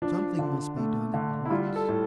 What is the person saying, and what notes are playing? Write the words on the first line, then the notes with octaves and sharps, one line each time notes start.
Something must be done at once.
F3 D4
D3
A3
D3
E4
G3 F4
A4
A2